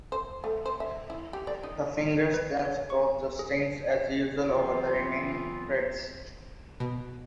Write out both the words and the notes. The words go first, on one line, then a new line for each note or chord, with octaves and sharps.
The fingers then stop the strings as usual over the remaining frets.
C5
A3
C5
E5
E4
G4
D5
D#4
B4
C#5
C#6
G#4
E3 F#3 B3 C4 F4
B2